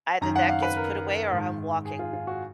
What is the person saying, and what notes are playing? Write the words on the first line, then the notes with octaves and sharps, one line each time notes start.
"Either that gets put away or I'm walking."
F#2 D#3 A#5
F#5
F5
B4
A#4
G#2 D#3
G#4
F4
F4
F#4